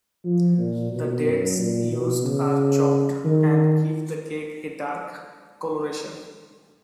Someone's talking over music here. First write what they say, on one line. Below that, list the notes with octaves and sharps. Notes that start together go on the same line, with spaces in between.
The dates used are chopped, and give the cake a dark coloration.
F3
A#2
B2
F#2
A#2
B2
C#3
D#3